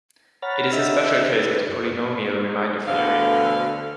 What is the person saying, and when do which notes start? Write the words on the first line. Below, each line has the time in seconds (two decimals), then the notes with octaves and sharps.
It is a special case of the polynomial remainder theorem.
0.42 C#5 F#5 A#5 B5 F6 A6
0.72 D4 G4 D#5 E5 E6
1.32 B4
1.68 F#2
2.88 D2 B2 D3 F5